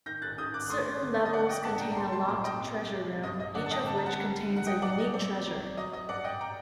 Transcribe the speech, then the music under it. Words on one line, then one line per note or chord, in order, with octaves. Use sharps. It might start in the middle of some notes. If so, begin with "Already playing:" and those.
Certain levels contain a locked treasure room, each of which contains a unique treasure.
D#3 G6 A#6
F#6 A6
D#3 D#6 G6
D6 F#6
F#6
A3 C6 D#6
D3
D#5
A3 D5 F#5
D#5 G5
D4 F#5 A5
G5 A#5
A#5
G3 A5 C6
A5 C6
A#2 A#5 D6
D#5 G5
C2
C3
G2 D#5
D#5
D3 D5 F#5
A5
D#5 G5
C2 A5
A#5
F#5 A5
G3
D#4
F#5
D#5 G5
F#3 D5 F#5
D#5
C4 D5
F#3
F#3 D#5
D#5
G2 D5 F#5
D#5 G5
G5 A#5